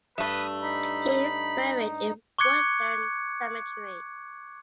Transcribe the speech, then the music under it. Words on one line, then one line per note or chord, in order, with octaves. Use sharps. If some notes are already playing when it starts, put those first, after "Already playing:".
He is buried in Woodlands Cemetery.
G2 A3 B4 E5 D#6
D#4 B5
C#6 D6 F#6 G#6 C#7